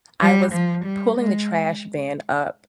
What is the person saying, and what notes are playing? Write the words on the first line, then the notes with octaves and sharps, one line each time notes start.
I was pulling the trash bin up
G3
F3
G3
G#3